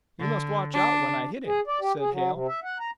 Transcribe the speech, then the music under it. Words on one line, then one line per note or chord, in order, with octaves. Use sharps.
"You must watch out, when I hit him," said Hale.
D3
D4
G#4
D5
G4
G#4
F#3
C3
E5
F#5
A#5